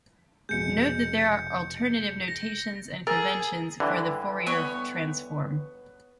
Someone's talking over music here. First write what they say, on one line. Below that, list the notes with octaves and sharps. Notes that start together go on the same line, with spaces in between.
Note that there are alternative notations and conventions for the Fourier transform.
F1 B2 G#3 G6 C#7
A#6
G#4 A#4 D#6 E6 A6
G2 D3 E3
B3 C#5